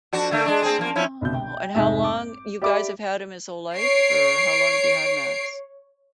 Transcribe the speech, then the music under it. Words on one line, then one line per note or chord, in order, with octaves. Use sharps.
Oh, and how long you guys have had him his whole life? Or how long have you had Max?
F2 D4 F#4
D3 A3 A#3
G#3 D4
C4 G#4
F3 A#3
F3 C#4 E4
G1 C2 B2 G6
G5
F1 G#2 G#3 E5
D6
G4 D5 E5 B5 D6
C#5 C7 D7